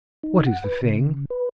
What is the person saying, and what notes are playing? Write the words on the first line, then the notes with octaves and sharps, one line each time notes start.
"What is the thing?"
D#4
F#5
B4
C#3
B4